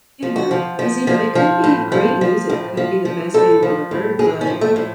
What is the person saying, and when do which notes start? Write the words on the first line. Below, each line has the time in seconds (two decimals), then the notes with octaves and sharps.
Yeah, 'cause, you know, it could be great music, could be the best band you ever heard. But
0.22 F3
0.36 F#4
0.51 F3
0.79 F3
1.07 F3
1.35 F3
1.64 A2
1.92 F3
2.21 F3
2.50 A2
2.77 F3
3.05 F3
3.34 A2 A4
3.63 F3
3.91 A2
4.19 A2 G#4
4.41 C#4
4.47 F3
4.61 A3
4.76 A2